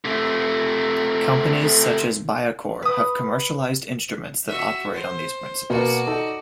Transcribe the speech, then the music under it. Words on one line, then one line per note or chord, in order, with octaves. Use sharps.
Companies such as Biacore have commercialized instruments that operate on these principles.
C3 A3
B4 D#6
F#4 E5
C5
B2 A#3 B3 F#4 D5
D#4 A4